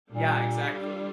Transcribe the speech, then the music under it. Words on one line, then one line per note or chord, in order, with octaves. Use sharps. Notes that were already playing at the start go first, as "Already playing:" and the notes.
Yeah, exactly.
A#2 G3 D4 F4 A4